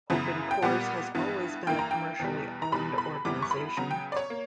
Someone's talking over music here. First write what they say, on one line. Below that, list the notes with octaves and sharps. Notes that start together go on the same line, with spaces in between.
OpenCores has always been a commercially owned organization.
F#2 C#3 E3 B3
G5
A#2 G3 B3 F#5
G2 E3 B3
G2 E3 A#3 G5
A#5
G5
E2 B2 G3
A#5
E2 B2 G3 B5
B5
F#2 E3 G3 B3 D6
C#6
B5
C#3 F#3 B3 A#5
G5
D5
C#5
A#3